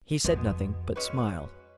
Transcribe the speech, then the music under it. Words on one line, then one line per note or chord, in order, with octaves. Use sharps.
He said nothing, but smiled.
F2 B2 G#3 B3
G#3 C#4 F#4 B4